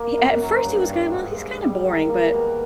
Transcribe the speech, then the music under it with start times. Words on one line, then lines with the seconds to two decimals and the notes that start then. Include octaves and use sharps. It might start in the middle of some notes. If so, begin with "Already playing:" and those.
He at first, he was kinda, "Well, he's kinda boring," but,
Already playing: A#3
0.17 F#2
0.41 F#3
0.65 G2
0.90 G2
1.13 G#2
1.37 G#2
1.62 G3
1.85 D#3
2.09 A#3
2.34 B2